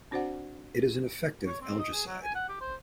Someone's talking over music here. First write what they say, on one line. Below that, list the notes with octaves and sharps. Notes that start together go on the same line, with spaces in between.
It is an effective algaecide.
C4 D4 F#4 C5 D5 F#5
C#5
C4
D#5
G#4
F#3
G#5
F#5
G4
C5